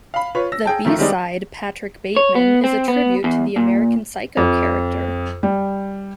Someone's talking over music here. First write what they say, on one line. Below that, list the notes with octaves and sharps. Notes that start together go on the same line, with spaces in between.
The B-side, "Patrick Bateman", is a "tribute" to the "American Psycho" character.
F5 B5
F4 B4 C#5
E6 A#6
G#4 G5 A5
F#2 D#3 F3 A3 F4
D#3 G3 G#3 C4 D4 D#4
C#5
B3
C4
B3
E2
A#2
F2
G3